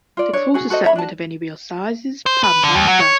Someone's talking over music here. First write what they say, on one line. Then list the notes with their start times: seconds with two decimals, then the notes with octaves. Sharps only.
The closest settlement of any real size is Papantla.
0.17 F4 D5
0.33 D4 C#5
0.54 F#4 G#4 G#5
0.70 F#4 A4 C5 D#5
0.84 C#5 E5 A#5 B5
0.95 D4 F#4 A5
2.26 C5
2.44 B4
2.63 D3
2.75 D#2
2.87 F#3
3.00 C#5